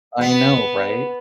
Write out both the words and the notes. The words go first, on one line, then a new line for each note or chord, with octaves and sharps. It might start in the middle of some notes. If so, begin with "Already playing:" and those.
I know, right?
B3